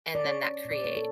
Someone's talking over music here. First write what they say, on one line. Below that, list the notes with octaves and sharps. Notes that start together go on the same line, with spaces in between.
and then that create
D5
C#4 C#5
C#4
A#2
D5
A#3 C#5
A4